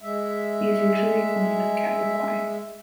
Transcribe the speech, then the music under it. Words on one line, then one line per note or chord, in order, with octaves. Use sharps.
He is a usual client of Cabify.
G#3 E5